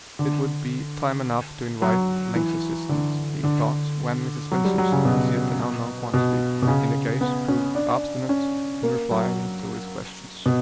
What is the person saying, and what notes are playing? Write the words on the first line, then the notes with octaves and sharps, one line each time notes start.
It would be time enough to invite Link's assistance, he thought, when Mrs. Bensusan--as yet an unknown quantity in the case--proved obstinate in replying to his questions.
D3
F#3
E3
D3
D3
F#3
G3
F#3
C#3
B2
B2
B2
C#3
B3
C#4
D4
C#4
A#3
F#3
B2